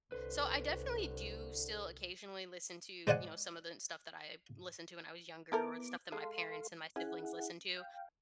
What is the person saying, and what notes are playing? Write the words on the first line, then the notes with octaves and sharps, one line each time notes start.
So, I definitely do still occasionally listen to, you know, some of the stuff that I listened to when I was younger or the stuff that my parents and my siblings listened to,
C2 D3 B4 C5
G#3 C5 D5 F#5 G#5
B3 E4 A4 A#4 D6
G#3 A4 F5 C6
C#4 E4 G#4 F#5
F5 G5